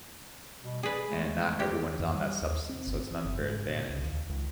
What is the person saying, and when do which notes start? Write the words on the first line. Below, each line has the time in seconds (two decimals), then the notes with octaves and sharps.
and not everyone is on that substance, so it's an unfair advantage.
0.63 B2 G3
0.83 G#4 B4 D5
1.08 G#3 A3
1.60 G4
1.99 F2
2.14 G3
2.42 D#2
2.69 C4
2.87 G1
2.99 C4
3.25 F#1
3.39 G#2
3.70 A#2
3.89 C#2
4.03 D#2
4.29 C#2